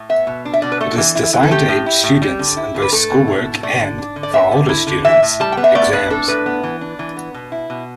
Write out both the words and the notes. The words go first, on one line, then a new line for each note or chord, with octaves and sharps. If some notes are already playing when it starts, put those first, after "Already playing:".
It is designed to aid students in both schoolwork and, for older students, exams.
Already playing: A2
B3 E5
B2
D4
E5
B2 D5
B4
A3 A4
E3
E4
E3
A4
A3 G4
A2
E4
A2
G3
D3
E4
D3
B4
A3 A4
B2
E4
B2
A3 D5
D3
D4
D3
D5
B3 E5
D3
E4
D3
E3 E5
A2
G3 A5
G5
B3
E5
A3 D5
A2 B4
D4 A4
A2 B4
B3
E3
D4
E3
B3
B2
E4
B2